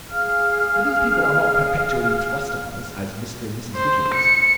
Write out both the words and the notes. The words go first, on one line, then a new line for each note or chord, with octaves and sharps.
But these people are not perpetually thrust upon us as Mr. and Mrs. Dickens.
G#4 F5 F6
C5
C#7